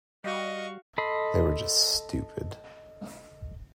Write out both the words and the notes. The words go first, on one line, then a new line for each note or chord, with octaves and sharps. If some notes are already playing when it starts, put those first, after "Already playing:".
They were just stupid.
G3 F#4 D#5 F5 C#6
A4 D#5 B5 C6